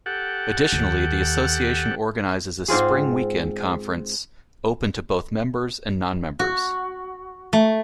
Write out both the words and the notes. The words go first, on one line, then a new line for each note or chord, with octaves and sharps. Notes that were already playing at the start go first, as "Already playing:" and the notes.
Additionally, the association organizes a spring weekend conference open to both members and non-members.
G4 A4 F#5
D#2
G#2 C4 F4 G#4
F#4
A3